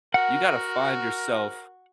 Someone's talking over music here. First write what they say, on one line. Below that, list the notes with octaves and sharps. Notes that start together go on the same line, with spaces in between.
You gotta find yourself
F#4 A#4 F#5